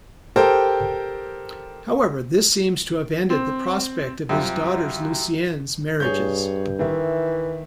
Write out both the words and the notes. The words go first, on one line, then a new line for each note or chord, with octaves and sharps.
However, this seems to have ended the prospect of his daughters' Lusignan marriages.
G4 A4 A#4 C5 G5
C4
F#2 C3 G3 F4
G2 G#4 C#5 G6
D#3 E3 E5